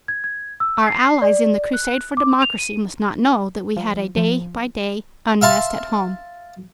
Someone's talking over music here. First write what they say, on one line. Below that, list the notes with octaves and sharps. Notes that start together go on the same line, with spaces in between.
Our allies in the crusade for democracy must not know that we had a day-by-day unrest at home.
G#6
G#6
E6
C7
D5
F#6
D6
F7
D#7
F3
F3
E5 F5 A5 C6